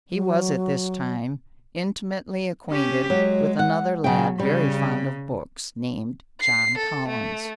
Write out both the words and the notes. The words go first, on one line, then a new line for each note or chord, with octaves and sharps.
He was at this time intimately acquainted with another lad very fond of books, named John Collins.
F#3
C#4 G4
F#3 G#3
F#5
C#3 F#3 G5
C#3 G3
C7
A4
A3